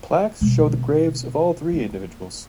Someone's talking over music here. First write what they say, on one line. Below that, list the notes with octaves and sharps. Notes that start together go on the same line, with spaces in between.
Plaques show the graves of all three individuals.
B2 D3
A#3